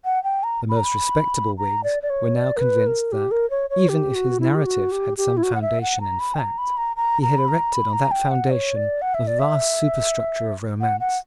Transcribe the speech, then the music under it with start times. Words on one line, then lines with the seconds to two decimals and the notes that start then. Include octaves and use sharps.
The most respectable Whigs were now convinced that, even if his narrative had some foundation in fact, he had erected on that foundation a vast superstructure of romance.
0.05 F#5
0.24 G5
0.43 A#5
0.69 B5
0.76 A#5
0.84 B5
1.58 A#5
1.84 D5
2.03 D5
2.10 C#5
2.35 D5
2.57 A#4
2.61 B4
2.87 A#4
3.12 G4
3.31 A#4
3.50 C#5
3.70 C#5
3.89 G4
4.15 F#4
4.40 E4
4.55 G4
4.66 F#4
4.92 G4
5.18 G4
5.37 E4
5.43 F#4
5.55 F#5
5.62 E5
5.81 F#5
6.01 A#5
6.20 B5
6.34 G5
6.39 A#5
6.58 B5
6.77 A#5
6.96 A#5
7.22 A#5
7.38 B5
7.48 A#5
7.74 B5
7.93 A#5
8.11 G5
8.31 F#5
8.51 C#5
8.76 D5
9.02 F#5
9.14 E5
9.27 D5
9.39 E5
10.81 F#5
11.00 F#5